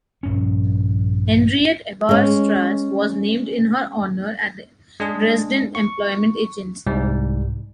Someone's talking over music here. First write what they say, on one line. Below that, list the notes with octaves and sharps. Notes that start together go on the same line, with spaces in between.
Henriette-Heber-Strasse was named in her honor at the Dresden Employment Agency.
A#1 G2 C#4
G#3 C#4
G#3 D4 G#4
C#6
C2 G#2 G3